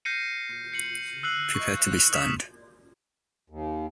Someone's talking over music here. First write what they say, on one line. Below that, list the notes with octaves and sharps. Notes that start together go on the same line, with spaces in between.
Prepare to be stunned.
F6 G6 A#6 C7 C#7 D#7
C7 C#7 F#7
E6 F#6 C7 F#7
C#6
D#6 F6 B6 E7 F7
D#2